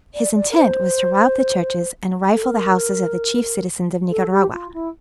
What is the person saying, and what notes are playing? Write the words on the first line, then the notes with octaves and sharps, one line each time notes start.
His intent was to rob the churches, and rifle the houses of the chief citizens of Nicaragua.
D5
D5
A#4
C5
A4
A#4
A4
G4
F4
E4